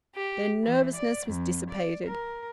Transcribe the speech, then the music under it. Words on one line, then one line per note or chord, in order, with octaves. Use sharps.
Their nervousness was dissipated.
G4
E3
D5
F2
D5
A#4